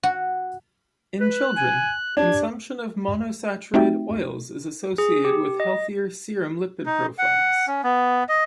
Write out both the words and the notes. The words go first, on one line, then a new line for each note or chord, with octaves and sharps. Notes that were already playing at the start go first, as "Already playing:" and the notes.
In children, consumption of monounsaturated oils is associated with healthier serum lipid profiles.
F#4
B4 F#6
G#5
D4 G4 G#6
A3 C4 D#4 F#4 E5 G5
G#4
G4
D#5
D#4
F#5
C#4
B3
D#5